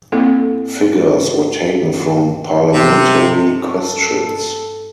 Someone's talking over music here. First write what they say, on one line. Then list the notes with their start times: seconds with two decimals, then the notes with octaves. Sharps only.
Figures were taken from parliamentary questions.
0.12 A#3 C4 E4 A4
2.73 C3
3.49 A4